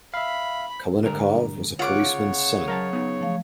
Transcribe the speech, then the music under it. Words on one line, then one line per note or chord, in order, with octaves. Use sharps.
Kalinnikov was a policeman's son.
E5 F5 B5
G2 D3 G#3 A#4
C#3 F4 C#5 F#5 D6
F#3 A#4 D#5 A5 A#5
B3 D#4
F3 A3 F5